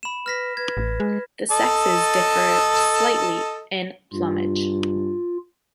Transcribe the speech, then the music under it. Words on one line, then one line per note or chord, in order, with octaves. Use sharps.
The sexes differ slightly in plumage.
B5 E7
B4 F6 A#6 B6
B4 G#6
A1
G#3
A4 D#5 A5
G2 F4